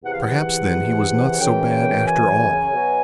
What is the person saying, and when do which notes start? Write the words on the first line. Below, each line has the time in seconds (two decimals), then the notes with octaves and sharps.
Perhaps, then, he was not so bad after all.
0.04 E2 C3 E3 F#5
0.12 F5
0.21 F#5
1.39 F#2 C#3 E3 G5
2.06 G#5
2.74 B2 F#3